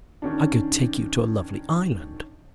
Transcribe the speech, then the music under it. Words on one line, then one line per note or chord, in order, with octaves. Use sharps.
"I could take you to a lovely island."
D#3 C#4 D4